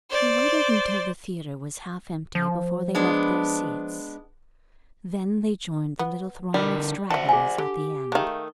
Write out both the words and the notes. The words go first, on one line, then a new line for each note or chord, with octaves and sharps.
They waited until the theatre was half empty before they left their seats. Then they joined the little throng of stragglers at the end.
C5 D5
F3
G#3 B3 D4
B3
D3 G3 D4 A#4
C5 D5 E5 F#5 A5
G#4 G#5
D3 G4
D#3 G#3 A3 F5